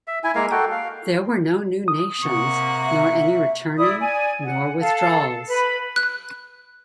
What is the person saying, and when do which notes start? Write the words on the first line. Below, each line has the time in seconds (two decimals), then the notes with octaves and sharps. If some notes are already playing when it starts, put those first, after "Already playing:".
There were no new nations, nor any returning, nor withdrawals.
0.08 E5
0.24 E4 G#5
0.35 G#3 A#3 A#4 F5
0.51 F#4 A4 G5
0.72 F5
1.88 D#6
2.23 C3 A#3 F#5 C#6
2.86 E5
3.77 E4 D5 D#6
3.99 D5 G#5
4.44 F#5
4.80 A4 F5 A5
5.48 B4 B5
5.96 F#6